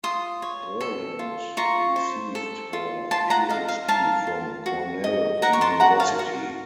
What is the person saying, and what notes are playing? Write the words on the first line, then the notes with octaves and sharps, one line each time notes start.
Berlant received her Ph.D. from Cornell University.
F4 C6 D#6
C#5
A4
F4
F4 A#5 C#6
C5
A4
F4
F4 A5 C6
F#5 A#5
D#5 F5
F5
A#4 F5 A5
F4
F#4
D#5
A#4 F#5 A#5
C#6
A5 C6
F#4 F#5 A#5
F5 A5
F#4